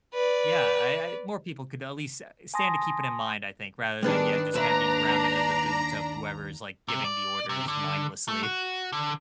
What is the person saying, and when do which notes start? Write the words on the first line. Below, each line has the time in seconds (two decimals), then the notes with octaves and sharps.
Yeah, I I more people could at least, uh, stand to keep it in mind, I think, rather than, yeah, just kinda being ground under the boot of whoever's, like, giving the orders mindlessly.
0.14 B4 D5
2.54 G#5 A5 C6 D#6 A#6
4.03 D#3 G3 B3 D4 G#4 B4
4.54 D#2 D4 E5 A#5 B5
6.88 C3
7.04 D5
7.49 C3
7.68 D3
8.28 A3
8.43 F#4
8.92 D3